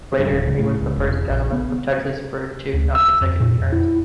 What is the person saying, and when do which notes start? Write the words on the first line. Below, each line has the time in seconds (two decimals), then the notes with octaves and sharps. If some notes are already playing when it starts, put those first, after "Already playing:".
Later, he was the first gentleman of Texas for two nonconsecutive terms.
0.19 G2
0.31 D1
0.45 C#2
0.59 A2
0.82 C#2
0.98 E1
1.29 A#1
1.52 B3
2.73 D2
2.95 E6
3.21 F2
3.40 A#2
3.60 F2
3.72 E4